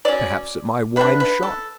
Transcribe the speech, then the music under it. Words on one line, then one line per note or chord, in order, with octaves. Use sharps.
"Perhaps at my wine-shop?"
F#3 C#4 D5
D3 A3 D4 B4
B4
A4